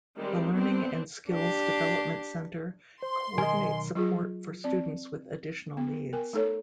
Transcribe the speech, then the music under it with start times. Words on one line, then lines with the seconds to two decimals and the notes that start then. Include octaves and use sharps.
The Learning and Skills Development Centre co-ordinates support for students with additional needs.
0.18 D#3 G3 G#3 C4
0.52 B3 C4 D4
1.30 D4 G4
3.03 C5 C6
3.38 B1 D#3 A#4 D#5 G#5
3.95 F#3 F4 G#4
4.64 C4 D5
5.77 B3
6.13 A#4 G5 G#5
6.33 A3 D#4 A4 C#5